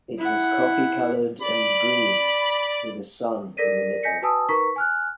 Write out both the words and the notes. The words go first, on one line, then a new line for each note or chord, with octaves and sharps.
It was coffee-coloured and green, with a sun in the middle.
E4 F#5
D5 B5
A4 A#4 D5 A#6 B6 D#7
D#5 G#5 G6 A#6 B6 C#7
F#4 B4 G#5 A5 D#6 E6
D#4 A#4 B4 A#5 C#6 B6
G#5 F6 F#6